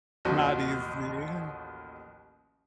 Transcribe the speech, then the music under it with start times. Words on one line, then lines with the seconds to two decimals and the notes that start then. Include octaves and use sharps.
not easy.
0.25 A1 D#2 F3 F#4